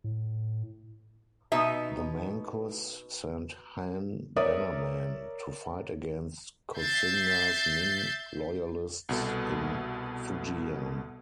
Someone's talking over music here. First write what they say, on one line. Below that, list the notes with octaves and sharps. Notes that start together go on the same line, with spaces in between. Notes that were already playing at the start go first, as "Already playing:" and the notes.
The Manchus sent Han Bannermen to fight against Koxinga's Ming loyalists in Fujian.
A2
B2 D#4 E5
A#4 C#5 D5 E5 D#6
E5 G6 A6 C7
C2 B2 A4